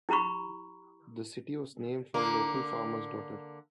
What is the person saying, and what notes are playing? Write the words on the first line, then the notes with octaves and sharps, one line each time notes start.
The city was named for a local farmer's daughter.
E4 G4 A#5 B5 C#6
D3 A#3